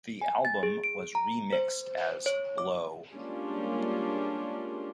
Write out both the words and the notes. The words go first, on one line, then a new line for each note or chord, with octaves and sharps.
The album was remixed as Blow.
G#5
A6
G#4
D7
A#5
C5
C#5
D6
G3 G#3 A#3 C#4 D4 F4